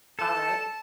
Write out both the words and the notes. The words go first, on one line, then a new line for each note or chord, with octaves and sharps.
All right.
A4 A5